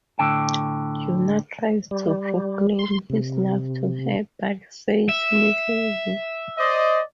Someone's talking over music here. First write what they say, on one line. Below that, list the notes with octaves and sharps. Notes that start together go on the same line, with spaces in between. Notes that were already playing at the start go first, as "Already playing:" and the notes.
Junior tries to proclaim his love to her, but fails miserably.
A2 D3 G5 A5
G3
C6
C3
E5
C5 D5 D#5